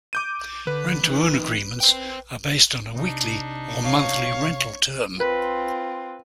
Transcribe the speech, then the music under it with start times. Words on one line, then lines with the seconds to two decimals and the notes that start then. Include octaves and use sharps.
Rent-to-own agreements are based on a weekly or monthly rental term.
0.13 D6 G6 D#7
0.67 D3 B4
1.04 E3 D#4
1.80 C5 G5
2.96 C3 D4 D#4
3.83 C#5 F5 C#6
5.20 C4 F4 B4